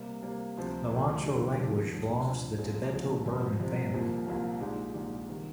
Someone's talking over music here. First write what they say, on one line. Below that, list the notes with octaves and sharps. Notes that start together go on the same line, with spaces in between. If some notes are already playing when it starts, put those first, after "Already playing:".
The Wancho language belongs to the Tibeto-Burman family.
Already playing: C3 G3 A#3
C3 G3 A#3
D2 C3 F3 C4
D2 C3 F3 C4
F2 D#3 G3 D4 G4
F2 D#3 G3 D4 G4
D2 D3 F3
D2 D3 F3
C2 A#2 F3 G#3
C2 A#2 F3 G#3
F2 C3 G3 C4
F2 C3 G3 C4
C2 A#2 F3 A#3
C2 A#2 F3 A#3
A#1 A#2 G#3 D#4 G4
A#1 A#2 G#3 D#4 G4
C3 D#3 G3